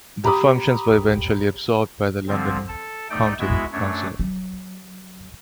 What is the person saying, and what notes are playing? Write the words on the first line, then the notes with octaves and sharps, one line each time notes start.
The functions were eventually absorbed by the London County Council.
G4 A#5 B5 D6 D#6
D3 F3 C4
A4 A5
A3 D#4 D5 G5
G#3 B3 E4 F#4 E5
F#2 A3 D4 C#5
F#3